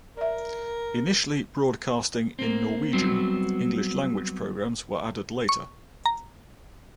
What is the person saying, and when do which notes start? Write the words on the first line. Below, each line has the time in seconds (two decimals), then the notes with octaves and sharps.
Initially broadcasting in Norwegian, English-language programs were added later.
0.17 A#4 D5 E5
2.39 A#3 C4
2.93 F#3 G3 B3 C4
5.49 C#6
6.06 A#5